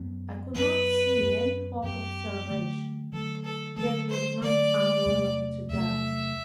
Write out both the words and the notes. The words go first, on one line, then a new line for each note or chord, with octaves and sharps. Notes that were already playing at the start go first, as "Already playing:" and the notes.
I could not see any hope of salvation, yet was not unwilling to die.
Already playing: F#2 F#3 B3
F#2 F#3 B3 B4
F#2 F#3 B3
F#2 F#3 B3 G4
D3 F#3 A3
D3 F#3 A3 A4
A4
D3 F#3 A3 A4
C5
D3 F#3 A3 D5
E2 C3 F#3 A3
E2 C3 F#3 A3 E5